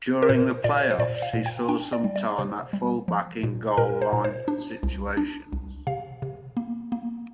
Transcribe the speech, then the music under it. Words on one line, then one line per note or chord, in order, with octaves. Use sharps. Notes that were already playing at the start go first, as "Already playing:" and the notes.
During the playoffs, he saw some time at fullback in goal line situations.
A#4
A#2 C5
A#2 D5
C5
A#2 D5
F5
A#2
G5
D4 G5
D5
G3
D5
C3 C5
G3
F3
A#2
A#2 A#4
C5
A#2
C5
D4
C2
D4
C2
C3 F5
C3
A#3
A#3